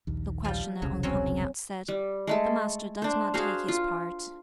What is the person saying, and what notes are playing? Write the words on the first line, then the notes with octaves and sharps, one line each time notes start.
The questioner on coming out said, "The Master does not take his part."
A#1 D#2
F3 G3
E1 C2 C#3 F#3
F#3 C4 C#4
G3
G#3 A3 A4
D4 C5
F#4 G#4 C5 F5
F4